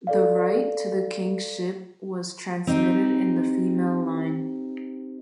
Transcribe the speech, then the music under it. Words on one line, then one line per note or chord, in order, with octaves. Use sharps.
The right to the kingship was transmitted in the female line.
A4 D5 F5
C4 D#4 G4